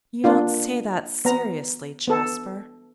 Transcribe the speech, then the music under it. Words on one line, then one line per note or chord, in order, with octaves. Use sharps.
'You don't say that seriously, Jasper?'
A#3 D4 F4
B3 A#5
B3 A4